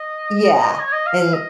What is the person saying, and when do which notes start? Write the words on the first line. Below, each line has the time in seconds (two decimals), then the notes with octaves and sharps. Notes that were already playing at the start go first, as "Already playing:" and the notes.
Yeah, and,
Already playing: D#5
0.80 C#5
0.93 D#5
1.06 F5
1.20 F5
1.33 D#5